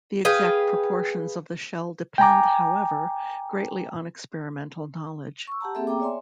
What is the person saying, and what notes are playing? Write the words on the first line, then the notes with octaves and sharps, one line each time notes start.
The exact proportions of the shell depend, however, greatly on experimental knowledge.
G#4 B4 F5 G5
G5 G#5 A#5 D6
C#6 E6
G4 F#5 A5 A#5
A#3 C4 G#4 A4 E5
B3 G#4 G5 A#5 D6
C#5 D5 E5 G#5 C6